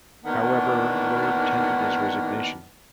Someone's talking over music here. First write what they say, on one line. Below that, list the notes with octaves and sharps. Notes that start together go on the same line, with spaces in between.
However, Lord tendered his resignation.
D#3 E3 F#3 A#3 B3 D4